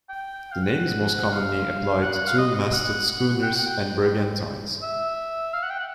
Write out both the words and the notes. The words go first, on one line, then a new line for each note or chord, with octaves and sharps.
The name is most commonly applied to two-masted schooners and brigantines.
G5
F5
F#5
F5
F#5
F#5
F5
D#5
D#5
F#5
G5
F#5
G5
E5
F5
F#5
G5
F#5